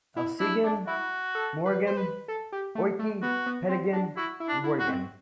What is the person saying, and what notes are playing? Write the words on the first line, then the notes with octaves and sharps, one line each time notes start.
Elsegem, Moregem, Ooike, Petegem and Wortegem.
E4
D4 E4
D4
E4 F#4
A4
B4
C5
B4
A4
G4
A3
A3
B3 F#4
B3
C4
D4
E4 F#4
E4
D4
E4
F#4
C4